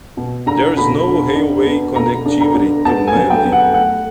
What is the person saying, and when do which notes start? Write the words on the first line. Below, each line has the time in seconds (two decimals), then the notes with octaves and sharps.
There is no railway connectivity to Mandi.
0.17 B2
0.46 D4 A#5
0.77 B2 B5
1.07 D4
1.36 D4
1.66 B3
1.95 B2 A#5
2.26 D4
2.40 A#5
2.55 D4
2.85 B3 A5
3.08 G#5
3.15 F#3
3.30 G5
3.45 B3
3.52 F#5
3.74 A3 F#5